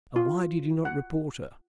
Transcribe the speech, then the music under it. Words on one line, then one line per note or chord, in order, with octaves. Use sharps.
"And why did you not report her?"
F4
F#5